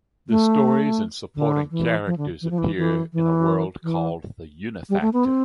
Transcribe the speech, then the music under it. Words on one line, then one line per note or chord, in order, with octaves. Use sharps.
The stories and supporting characters appear in a world called the Unifactor.
A3
D3
E3
F3
D3
E3
F3
E3
E3
E3
E3
G3
A3
B3
C4